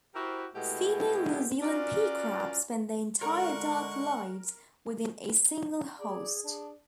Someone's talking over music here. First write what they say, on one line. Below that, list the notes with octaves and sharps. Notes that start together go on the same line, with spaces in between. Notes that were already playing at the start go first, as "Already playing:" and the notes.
Female New Zealand pea crabs spend their entire adult lives within a single host.
E4 F#4 G4 A#4 C5
B2 G#3 A3 B3 E4 G4
C#4 F4 F#4 A#4 D5
D3 G#3 A#4 F#5 C#6
G#4 D5
D4